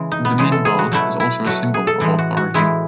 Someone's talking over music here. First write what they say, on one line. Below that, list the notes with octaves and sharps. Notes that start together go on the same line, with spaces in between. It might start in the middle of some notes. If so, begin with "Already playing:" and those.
The minbar is also a symbol of authority.
Already playing: C#3 E3 G#3
D#4
B3
C#3 E3 G#3 G#4
A4
G#4
F#4
B2 F#3 A3 E4
E4
B2 F#3 A3 F#4
G#4
A4
A2 E3 G#3
F#4
F#4
A2 E3 G#3 E4